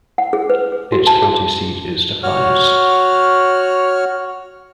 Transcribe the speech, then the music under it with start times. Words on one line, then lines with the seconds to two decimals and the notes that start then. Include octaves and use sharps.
Its county seat is Defiance.
0.18 F#5
0.33 G#4
0.50 B4
0.72 G#4
0.92 F#4
1.07 A5
1.22 G#4
2.23 F#4 C#5 F6